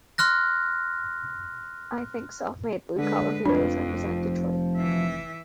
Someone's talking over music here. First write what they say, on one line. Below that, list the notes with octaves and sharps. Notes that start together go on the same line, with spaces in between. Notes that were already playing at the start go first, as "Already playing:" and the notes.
I think self-made, blue-collar heroes represent Detroit.
C6 F6 F#6 A#6
D3 G#3 B4
F1 F2 F3 D4 B4
E3 E5